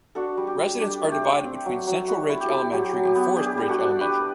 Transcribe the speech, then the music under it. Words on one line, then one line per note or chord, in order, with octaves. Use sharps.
Residents are divided between Central Ridge Elementary and Forest Ridge Elementary.
D4 F#4 A4
G3
G4
G3
D4 G4
A3
G4
D4
C4
F#3
F#3
G3 F#4
E4
G4
E4 A4
G4
F#3 G4
F#3
G4
B3
D4 G4
G3
F#4 A4
D4
D4 G4 B4